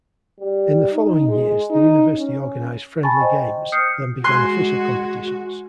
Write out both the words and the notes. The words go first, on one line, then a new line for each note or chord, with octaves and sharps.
In the following years the university organized friendly games, then began official competitions.
G3
D#4
G#3
D#4
C#4
G#5 A5 B5 C#6 A6
C5 D#5 G5
D#6 F6 G6 C7 C#7
G#3 F#4 G#5 C6 F#6